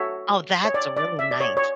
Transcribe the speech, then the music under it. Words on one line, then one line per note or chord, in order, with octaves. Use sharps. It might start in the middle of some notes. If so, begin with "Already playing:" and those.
Oh, that's really nice.
Already playing: F#4 A4 C#5 E5
C#5
D5
D5
E5
D5
C#5
C#5